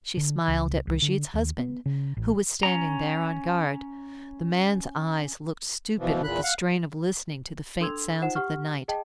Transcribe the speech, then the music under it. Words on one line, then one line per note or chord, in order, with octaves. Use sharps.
She smiled at Brigitte's husband, who was standing there on guard; the man's eyes looked stupid with the strain of listening to the faint sounds of the night.
D3
C#2
C2
D3
D#2
B3
C#3
A1
C#4 A#5
B2 E3 F3
E2 A#2 B5 F#6
F5 F#5
D4 A4 C6 E6 G#6 F7
D#4 F4 C5 F#5 E7
G4 F#5 C#6 F6
G#4 D#5 G5 A5